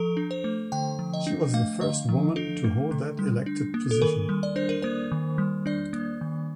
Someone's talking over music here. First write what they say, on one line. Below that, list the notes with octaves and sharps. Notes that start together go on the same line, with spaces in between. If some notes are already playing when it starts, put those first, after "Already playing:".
She was the first woman to hold that elected position.
Already playing: F3 A4
D4
C5
A3
D3 G5
F3
D#5
D4
A3 F5
D3 D#5
F3
D4 A4
A3
D3
G3
D4
A#3
A4
D#3 A#4
G3
D5
D4 C5
A#4
A#3 C5
D#3
G3
D4 D5
A#3
D#3